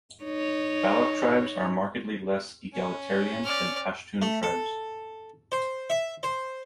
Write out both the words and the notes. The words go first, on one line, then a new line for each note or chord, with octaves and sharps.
Baloch tribes are markedly less egalitarian than Pashtun tribes.
D#4 C#5
C#4
D5 F6
A3
A4
C5
E5
C5